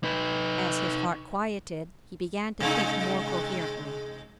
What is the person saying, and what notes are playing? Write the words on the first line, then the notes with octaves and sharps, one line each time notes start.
As his heart quieted he began to think more coherently.
D#4 B4
C3 G#3 D#4